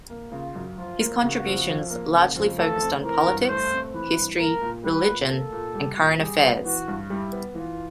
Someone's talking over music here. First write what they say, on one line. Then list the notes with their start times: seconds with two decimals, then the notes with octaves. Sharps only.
His contributions largely focused on politics, history, religion and current affairs.
0.10 A#3
0.32 C#3 F4
0.55 F#2
0.78 F3 F4
1.00 A#3
1.22 C#3 F#4
1.46 F2
1.68 F3
1.90 A#3
2.13 C#3
2.36 F2
2.58 A3 A4
2.81 C4
3.04 E3 A#4
3.27 G2
3.48 A3 C5
3.71 C4
3.94 E3 B4
4.17 G2
4.39 A#3 A#4
4.61 A#2
4.84 G3 B4
5.07 A#2
5.29 A#3 A4
5.52 A#2
5.75 G3
5.97 A#2
6.20 G3 G#4
6.43 B3
6.65 E3 F#4
6.88 G2
7.10 G3 E4
7.32 B3
7.55 E3 F4